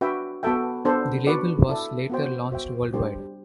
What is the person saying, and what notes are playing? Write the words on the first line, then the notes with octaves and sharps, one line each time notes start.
The label was later launched worldwide.
D4 F#4 B4 E5 G5
B3 F#4 A4 E5 G5
B3 D4 A4 C5
D4 F#4 B4 D5 F#5
E4 A4 D5
B3 F#4 C5 G5
F#4 C5 E5 G5
G3 D4 G4 C5